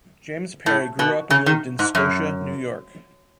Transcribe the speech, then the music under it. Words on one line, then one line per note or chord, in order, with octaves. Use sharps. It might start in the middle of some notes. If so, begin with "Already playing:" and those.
James Parry grew up and lived in Scotia, New York.
A2
B2
C#3
D#3
G#2
F#2